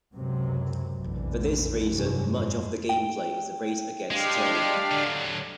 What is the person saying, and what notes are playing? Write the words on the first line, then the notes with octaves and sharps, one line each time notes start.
For this reason, much of the gameplay is a race-against-time.
C#2 F#2 C3 F#3
F1 A#1 E2 D3 E3
F1 G2 C3 F#3 C#4
F2 A2 G#3
G5
G#3 D4 G4 F5
D3 F#3